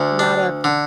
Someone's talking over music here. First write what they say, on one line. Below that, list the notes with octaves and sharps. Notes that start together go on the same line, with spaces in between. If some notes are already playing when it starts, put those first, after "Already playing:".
not a
Already playing: D2 D3
D4
D3